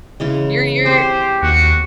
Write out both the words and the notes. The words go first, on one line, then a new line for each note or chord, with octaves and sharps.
you're you're
C#3 E3 G#3
C4 G4 C5
D#2 F#4